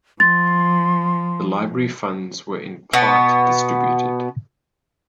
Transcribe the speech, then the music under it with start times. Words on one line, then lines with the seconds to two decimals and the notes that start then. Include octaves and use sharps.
The library funds were in part distributed.
0.20 F3 C6 A6
2.93 B2 B3